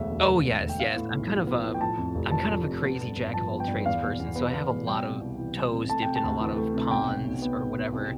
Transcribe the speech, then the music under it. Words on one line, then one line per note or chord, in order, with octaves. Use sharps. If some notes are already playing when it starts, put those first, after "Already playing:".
Oh, yes, yes. I'm kind of, um I'm kind of a crazy jack of all trades person. So, I have a lot of toes dipped in a lot of ponds or whatever.
Already playing: E1 D2 E5
E1
D3
E1
D2
G5
B3 F5
A2
B1
F3
B3
A2
G5
F3 A5
F2
F1
D3 A5
F3
F2
B3
G2
G1
F3 A5
B3
G5
G2
E2 F5
B2
E2
B3
E2
B2
G3 G5
C3
C2
E3
G3
C3
A3 A5
C3 G5
A5
D2
E3
A3
C3
B1 G5
B2
B1
B3
B1
B2
C2